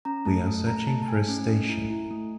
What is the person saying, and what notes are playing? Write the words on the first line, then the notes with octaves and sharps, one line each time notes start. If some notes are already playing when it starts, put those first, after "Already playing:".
We are searching for a station.
C#4 A#5
A3 A5
A3 A5
A3 A#5
A3 A5
A5
A3 G#5
C#4
A3
E4
E4
A3